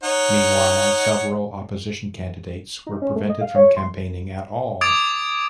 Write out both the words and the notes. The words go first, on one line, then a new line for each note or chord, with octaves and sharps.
Meanwhile, several opposition candidates were prevented from campaigning at all.
D#4 C#5 F#5
D#4
C#4
A3
D#5
F5
C#5
C6
D6 D#6 G#6 A6 D7 F7